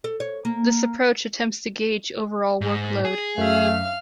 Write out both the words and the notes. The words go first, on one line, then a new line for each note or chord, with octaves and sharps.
This approach attempts to gauge overall workload.
A4
C#5
A#3
G#2
G#4
F#2 A3 E5 F5 F6